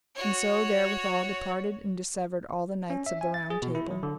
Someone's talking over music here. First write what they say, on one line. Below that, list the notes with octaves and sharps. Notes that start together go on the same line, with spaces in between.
And so therewithal departed and dissevered all the knights of the Round Table.
F#4 C#5
C#4
E5
G#5
A6
G#4
B2
E4
F#3
D3